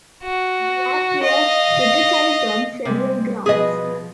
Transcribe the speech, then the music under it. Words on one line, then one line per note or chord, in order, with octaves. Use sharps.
The act was criticized on several grounds.
F#4
D#5 F5
C3 G3 G#3
B2 F3 G#4 B4 D#5